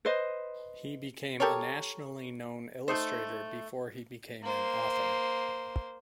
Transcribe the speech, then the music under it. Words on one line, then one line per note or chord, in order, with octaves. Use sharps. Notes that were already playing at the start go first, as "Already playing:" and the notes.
He became a nationally known illustrator before he became an author.
B4 C5 D#5
G4 A4 A#4 C#5
A3 D#4 C5
A#3 C5